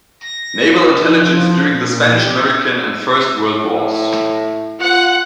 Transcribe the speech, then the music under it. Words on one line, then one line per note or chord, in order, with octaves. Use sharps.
Naval Intelligence during the Spanish-American and First World Wars.
A#6
F3
A#2
G4
A2
F4 F#5